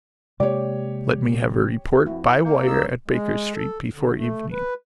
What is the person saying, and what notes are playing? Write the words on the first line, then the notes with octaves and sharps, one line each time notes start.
Let me have a report by wire at Baker Street before evening.
C3 G#3 A#3 G4 C#5 D5
F2 E4 F#4
C#7
A#3 G6
G#3 C#4 D#4 C#5 E6
G#3
A4
D3
A3
B4